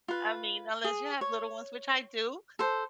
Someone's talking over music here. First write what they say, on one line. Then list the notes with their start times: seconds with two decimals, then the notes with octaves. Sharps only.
I mean, unless you have little ones, which I do,
0.08 F4 B4
0.84 G#4
1.21 C#5
2.59 A4 C5